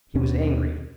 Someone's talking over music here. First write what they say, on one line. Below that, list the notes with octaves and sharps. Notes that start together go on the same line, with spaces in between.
He was angry.
D#2 B2 C#4 D4